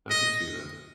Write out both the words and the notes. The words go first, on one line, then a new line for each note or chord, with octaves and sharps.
I can see that,
D#5